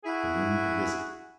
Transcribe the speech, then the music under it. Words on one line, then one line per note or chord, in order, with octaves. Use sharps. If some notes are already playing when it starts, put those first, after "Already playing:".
The moon had risen.
E4 F#4 G#4